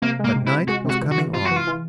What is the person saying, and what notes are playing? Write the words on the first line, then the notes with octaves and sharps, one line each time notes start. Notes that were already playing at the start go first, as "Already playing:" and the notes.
But night was coming on.
C3 A#3
G#3
A#3
C3
E4
C3
G#3 F#4
C3
F#4
E3
F#4
E3
C3 F4
F#4
E3
F4
E3